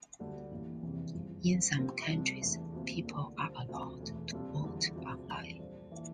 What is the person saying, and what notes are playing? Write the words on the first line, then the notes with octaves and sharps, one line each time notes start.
In some countries people are allowed to vote online.
D2 D3 G3
A1 G2 E3 G3 A#3
F1 E2 C3 E3 G3
G1 G2 F3
G2 F3 C4
C3 F3 C4 G4 A#4
C2 C3 G3 D4
E2 E3 A3 D4
D2 C3 F3 A#3
D3 A3 E4 A#4
D3 G3 D4 F4 C5
E1 D2 C3 F3 A3
E1 E2 E3 A3
C3 G3 D4 F4 A4
E2 D3 G3
D2 C3 F3
F2 E3 G3 D4 A4
A#2 G3 D4 A4 C5
E3 A#3 E4 A4